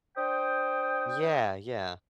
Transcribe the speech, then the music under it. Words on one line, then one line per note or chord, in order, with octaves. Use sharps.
Yeah, yeah.
D4 C5 G5 D#6